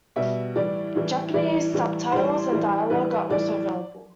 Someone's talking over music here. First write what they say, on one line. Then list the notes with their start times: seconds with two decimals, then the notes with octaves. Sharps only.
Japanese subtitles and dialogue are also available.
0.16 B2 G3 E5
0.55 A2 E3 G3 D5
0.95 A2 E3 G3
1.34 A2 E3 G3 D5
1.73 A2 E3 G3
2.12 A2 E3 G3 C5
2.51 A2 E3 G3
2.90 A2 E3 G3 B4
3.10 B4
3.29 A2 E3 G3 D5